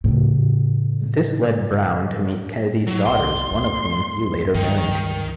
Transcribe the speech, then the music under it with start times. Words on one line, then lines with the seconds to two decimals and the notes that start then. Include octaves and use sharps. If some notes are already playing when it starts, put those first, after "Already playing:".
This led Brown to meet Kennedy's daughters, one of whom he later married.
0.04 A2 C#3
2.87 F#3
3.06 C2 C6
3.51 D2 A3
4.54 C#2 G2 D#3